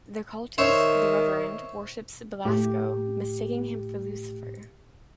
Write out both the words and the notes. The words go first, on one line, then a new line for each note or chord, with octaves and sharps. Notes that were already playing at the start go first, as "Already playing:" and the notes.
The cultist "the Reverend" worships Belasco, mistaking him for Lucifer.
D#3 C5 C#5 E5
A2 G4